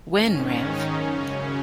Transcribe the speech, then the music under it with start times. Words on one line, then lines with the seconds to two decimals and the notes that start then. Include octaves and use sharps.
When Rev.
0.11 G#2 D#3 C#4
0.52 D#4
0.95 F#2 C#3 C#4